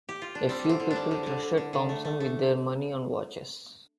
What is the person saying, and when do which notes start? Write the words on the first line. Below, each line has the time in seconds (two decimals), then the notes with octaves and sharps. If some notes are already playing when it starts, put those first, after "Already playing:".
A few people trusted Thompson with their money and watches.
0.09 G4
0.22 F4
0.35 D4
0.49 G3 C4
0.64 D3
0.69 C4
0.80 D3
0.91 D4
0.96 G3
1.11 D3
1.26 D3
1.42 D3
1.57 D3
1.73 D3
1.89 A3
2.05 A3
2.20 A3